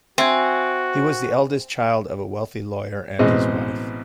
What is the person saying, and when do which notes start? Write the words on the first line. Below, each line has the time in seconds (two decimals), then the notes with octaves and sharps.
He was the eldest child of a wealthy lawyer and his wife.
0.18 C4 F#4 E5 G#5
3.19 A1 B2 G#3 C4 D#5